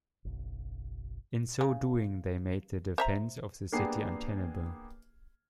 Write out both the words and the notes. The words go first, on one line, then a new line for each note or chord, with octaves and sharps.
In so doing they made the defence of the city untenable.
F#1 B1
C#3
C5 E5 A#5
A#3 B3 D4 G4 G#4 C7